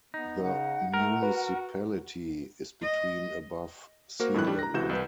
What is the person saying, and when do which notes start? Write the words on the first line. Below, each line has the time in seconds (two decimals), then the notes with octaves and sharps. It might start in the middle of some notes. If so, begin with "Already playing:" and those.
The municipality is between above sea level.
0.14 B3 D#4
0.43 C#3 F#5
0.94 A3 A#4
1.22 F#4 B4
2.83 D#5
4.20 A#3 F#4 A#4 C5
4.34 F2 A2 E3 E4 F#6
4.47 G3 D4 G4
4.59 A#5 A#6
4.74 C#2 C3 E3 F#4 G6 E7
4.89 C2 B4